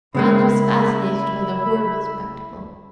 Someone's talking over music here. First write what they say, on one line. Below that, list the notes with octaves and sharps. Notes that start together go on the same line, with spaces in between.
Franz was fascinated by the horrible spectacle.
C#3 G#3 A#3 E4 B5